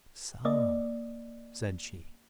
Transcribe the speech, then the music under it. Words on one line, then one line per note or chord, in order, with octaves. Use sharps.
"So!" said she.
A#3 D5 D#5